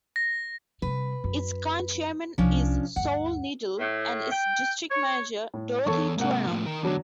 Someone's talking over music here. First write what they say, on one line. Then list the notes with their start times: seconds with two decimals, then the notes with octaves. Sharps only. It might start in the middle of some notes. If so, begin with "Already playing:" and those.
Its current chairman is Saul Needle, and its district manager Dorothy Turano.
0.16 A#6
0.82 C3 G3 B4
1.24 F#2
2.38 C2 F3 C#4 D4
2.96 D2 G2 F#5
3.79 A2
4.31 G5
4.91 C#5
5.54 A2
5.86 E2 G#2 A4 C#5 C#6
6.18 G#2 C3 A#3 F#5
6.47 A2 F3
6.66 D#3 A#4
6.83 E2 D3 F#3 D4